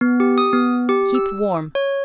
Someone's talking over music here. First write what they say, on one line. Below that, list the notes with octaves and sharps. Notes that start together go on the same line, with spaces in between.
Keep warm.
B3
G4
D#6
B3
G4
E6
C#5